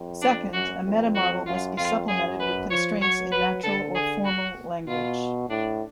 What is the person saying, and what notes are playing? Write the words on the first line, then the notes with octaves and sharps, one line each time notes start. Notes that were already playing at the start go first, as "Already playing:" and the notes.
Second, a meta model must be supplemented with constraints in natural or formal language.
Already playing: F2
D4
F#2 F#4
F2
F#4
F#2 F4
F2 F4
F#2 G#4
B4
F3 C#5
F#3 C#5
B4
D3 A4
G#4
F#4
B2 F4
A2 D4